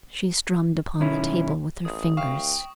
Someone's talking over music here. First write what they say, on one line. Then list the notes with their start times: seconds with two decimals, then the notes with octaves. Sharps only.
She strummed upon the table with her fingers.
1.00 B1 D#3 C#4 E4
1.85 A1 D#6
2.17 D2 F5 G5 C#6